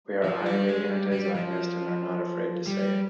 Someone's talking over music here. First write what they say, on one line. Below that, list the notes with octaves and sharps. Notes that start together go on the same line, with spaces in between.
We are highly anti-Zionist and are not afraid to say it.
F3
G3
G#3
G3
G3
F3
G3